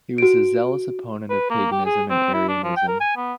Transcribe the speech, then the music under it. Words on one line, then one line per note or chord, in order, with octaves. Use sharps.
He was a zealous opponent of paganism and Arianism.
F#4 D7
B4
A#3
G4
G#4
C4
E4
D4
F3
G5
A#4
G#5
B3